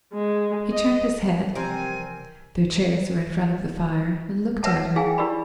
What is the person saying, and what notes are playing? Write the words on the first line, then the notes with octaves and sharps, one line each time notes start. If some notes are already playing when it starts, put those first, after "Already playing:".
He turned his head--their chairs were in front of the fire--and looked at her.
G#3
D#5
C3 E3 F3 G3 C4 A#4 G#5
A#4 B4 C#5 E5 F#5 A5
F#5
E4 G#4 F5 G5 G#5
E4 G4 A#4 D5 B5